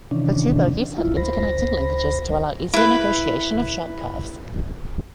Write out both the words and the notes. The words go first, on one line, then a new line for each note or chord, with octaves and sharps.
The two bogies had interconnecting linkages to allow easier negotiation of sharp curves.
C3 D#3 E3 C#4 D4
E4 F4
D2 C5 B5 A#6
E4 B4